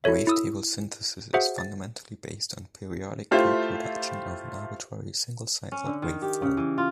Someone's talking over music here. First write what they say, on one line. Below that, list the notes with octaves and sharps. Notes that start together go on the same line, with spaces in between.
Wavetable synthesis is fundamentally based on periodic reproduction of an arbitrary, single-cycle waveform.
E4 F#4 A4 C#5 E5
E4 D#6 E6
F#4 G#4 C5 E5 F#5
A6
A3 E4 F4 G4 C5
C#4
D3
D#3
G4
C#3
E3
F4